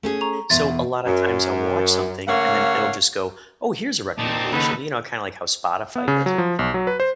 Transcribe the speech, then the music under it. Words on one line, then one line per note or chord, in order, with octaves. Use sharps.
So, a lot of times I'll watch something and then it'll just go, "Oh, here's a recommendation," you know, kinda like how Spotify does it,
A3 C#4 G#4
A#5 C#6 F7
E2 B2 E5 C6 A6
F#2
C#3 A3 A#3 C#5 F5 F#5
A#2 C4 D#4 D5 A5
D#2 C#3 B3 D#4 A4 B4
B3
C#3
F#3
F3
B1
F#3
B4
C5